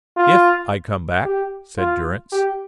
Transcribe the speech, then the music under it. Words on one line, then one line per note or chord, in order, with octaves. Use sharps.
"If I come back," said Durrance.
F4
G4
F4
G4